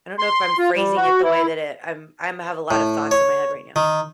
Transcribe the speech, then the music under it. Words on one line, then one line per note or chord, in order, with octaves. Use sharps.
I don't know if I'm phrasing it the way that it I'm I'm have a lot of thoughts in my head right now,
C6
F4
G3
F#4
E4
A2
C#5
D#3